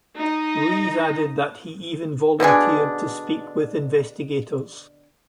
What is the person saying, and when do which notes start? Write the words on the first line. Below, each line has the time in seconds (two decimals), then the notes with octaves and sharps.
Ruiz added that he even volunteered to speak with investigators.
0.16 D#4 D#5
2.40 B2 D3 D4 G#4